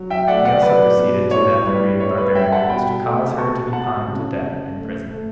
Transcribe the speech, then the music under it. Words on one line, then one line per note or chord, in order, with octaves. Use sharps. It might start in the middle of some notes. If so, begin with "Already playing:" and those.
He also proceeded to that degree of barbarity as to cause her to be pined to death in prison.
Already playing: F#3
E5 G5
A3 D5 F#5
D5 F#5
F#3 B4 D5
B2
A2 C#5
G3 B4
G3 C#5
B4
G3 E5 G5
F#5 A5
B2 G5 B5
A3
B2 A5 C#6
B2 F#5 A5
C#3
C#3
A3
A3